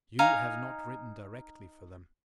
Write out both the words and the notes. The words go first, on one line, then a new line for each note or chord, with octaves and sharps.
You have not written directly for them.
D#4 F5 G#5 A#5